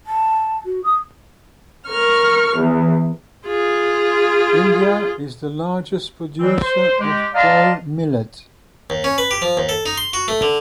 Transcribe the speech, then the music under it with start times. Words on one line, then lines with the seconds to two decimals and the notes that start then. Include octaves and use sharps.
India is the largest producer of pearl millet.
0.07 A5
0.66 F#4
0.84 D#6
1.89 A#4 C#6 F6
2.55 E2 E3
3.47 F4 G#4
6.40 E3 F#3 G3 C4
6.62 C5
6.99 G#3 G4
7.34 D5 D#5 F5 A5 A#5 C6
8.90 D#2
9.04 C#4
9.18 B4
9.31 G4
9.42 F3
9.57 D#2
9.69 A4
9.86 D#4
9.98 C6
10.13 F#4
10.28 A3
10.42 D3